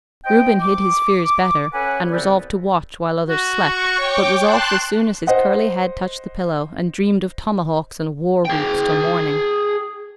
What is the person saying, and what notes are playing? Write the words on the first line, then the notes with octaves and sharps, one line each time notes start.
Reuben hid his fears better, and resolved to watch while others slept; but was off as soon as his curly head touched the pillow, and dreamed of tomahawks and war-whoops till morning.
C5 D#5 G5
D6
C#4 A4 B4 F#5 G#5
C2 C#3 B3 C4 D5
F#4
C#6
C#5 G5 D6
A5 C6 F#6
C5 D#5 F#5
G#4 G5